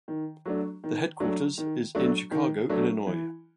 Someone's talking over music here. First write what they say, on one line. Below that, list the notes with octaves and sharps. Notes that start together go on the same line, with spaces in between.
The headquarters is in Chicago, Illinois.
D#3
F#3 A3 D4
D#3
F#3 A3 D4
D#3
F#3 A3 D4
D#3
F#3 A3 D4
E3